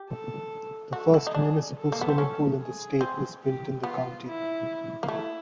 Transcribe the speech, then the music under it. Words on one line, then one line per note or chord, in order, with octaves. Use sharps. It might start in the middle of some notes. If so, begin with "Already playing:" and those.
The first municipal swimming pool in the state was built in the county.
Already playing: G4
A4
F#4 A4
E4
D#4
D4 G#4
A4
A#3
B3
C4
C#4
G#4
C4
G4
B3 F4
E4
A#3
A3 E4